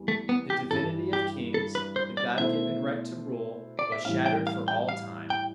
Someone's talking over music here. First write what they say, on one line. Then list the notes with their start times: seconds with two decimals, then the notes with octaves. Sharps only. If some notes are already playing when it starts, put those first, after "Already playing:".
The divinity of kings, the God-given right to rule, was shattered for all time.
Already playing: E2 E3 G3
0.08 A3
0.29 B3
0.50 G4
0.71 G2 E3 G3 A4
1.13 G4
1.54 A4
1.75 B4
1.96 C5
2.17 D5
2.38 B2 A3 E4 A4 C5 E5
3.79 D5
3.92 E5
4.05 A2 E3 G3 F5
4.26 G5
4.47 F5
4.68 G5
4.89 F5
5.30 G5